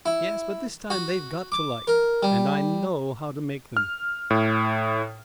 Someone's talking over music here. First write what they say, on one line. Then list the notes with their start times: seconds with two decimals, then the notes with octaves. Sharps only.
"Yes, but this time they've got to like; and I know how to make them."
0.06 E4
0.90 F#4
1.52 D6
1.87 A#4
2.23 G3
3.77 F6
4.30 A2